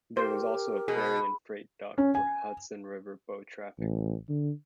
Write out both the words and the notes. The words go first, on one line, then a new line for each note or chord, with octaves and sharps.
There was also a ferry and freight dock for Hudson River boat traffic.
G4 A#4 C5
B2 G#4
C#4
G#5
A1
D3